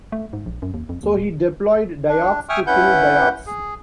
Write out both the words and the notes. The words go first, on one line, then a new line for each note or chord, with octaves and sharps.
So he deployed Dayaks to kill Dayaks.
A3
G#2
A#1
F#2
D#2
F2
D#2
D1
D4
E5 G5 G#5 C#6 D#6 F6
G2 C#4 E4 B4 F#5 G6
G#4